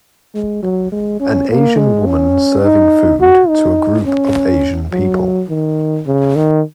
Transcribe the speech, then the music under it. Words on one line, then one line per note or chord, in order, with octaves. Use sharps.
An Asian woman serving food to a group of Asian people.
G#3
F#3
G#3
C#4
A#3
G#3
C#4
D#4
F#4
D#4
C#4
F#3
D#3
C#3
D#3